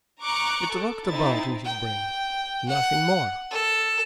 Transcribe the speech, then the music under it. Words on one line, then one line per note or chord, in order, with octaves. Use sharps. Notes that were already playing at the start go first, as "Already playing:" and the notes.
It rocked about in his brain--nothing more.
A#5 C#6 D6 F#6 C#7
A4
C4 D#4 E4 A6
G5
F#5
A4